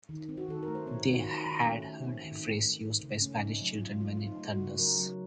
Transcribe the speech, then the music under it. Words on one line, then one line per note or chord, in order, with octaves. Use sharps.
They had heard a phrase used by Spanish children when it thunders.
D#3
C4
F#4
D#3 A4
A#4
A3
C5
C4 C#5
D#3 F#4
F4
D#3
D#3
A3 C#4
D#3
C4
D#3
C4
A3
A3
C#3
A3 C#4
C4 D#4
F#3
F#3 F4
A3 F4
C4 F4
D#4
A3
F#4
C#3
F#3 A#4
F#3